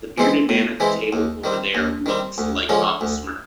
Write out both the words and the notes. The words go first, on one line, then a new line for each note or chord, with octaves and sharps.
The bearded man at the table over there looks like Papa Smurf.
E3 G#3 C4 E4
A2
E3 G#3 C4 E4
D#2
D#3 G3 C4
D#2
D#3 G3 C4
D2
D3 F3 G#3 C#4
D2